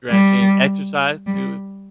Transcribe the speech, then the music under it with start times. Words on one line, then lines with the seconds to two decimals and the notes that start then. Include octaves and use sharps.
Stretching, exercise too, if
0.10 G3
1.27 G3